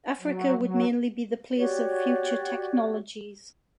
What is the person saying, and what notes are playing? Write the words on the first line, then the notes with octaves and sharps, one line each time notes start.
Africa would mainly be the place of future technologies.
F#3
F#3
F#4 G4 C#5 D5